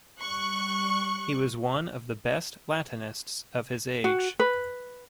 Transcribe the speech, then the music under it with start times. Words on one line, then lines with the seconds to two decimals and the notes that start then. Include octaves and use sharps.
He was one of the best Latinists of his age.
0.21 G3 C#6 F#6
4.04 F#4
4.40 B4